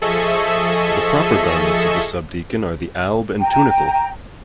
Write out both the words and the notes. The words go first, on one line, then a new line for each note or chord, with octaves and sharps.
The proper garments of the subdeacon are the alb and tunicle.
F3 G#4 A4 D#5 E5 C#6
G5 A#5